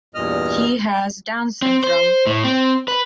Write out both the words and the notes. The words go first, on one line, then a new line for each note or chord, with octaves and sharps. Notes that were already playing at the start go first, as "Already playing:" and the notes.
He has Down syndrome.
E2 G2 A#2 D#5 F6
C4
C5
A2
C4
B4